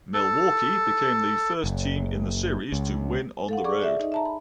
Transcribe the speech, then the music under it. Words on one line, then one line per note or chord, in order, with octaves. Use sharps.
Milwaukee became the first team in the series to win on the road.
A4
F#1
C#2
A4 F5 F#5
G#4 D5 C#6 D6
D5 E5
D#4 D#5
E5 A5 A#5
B5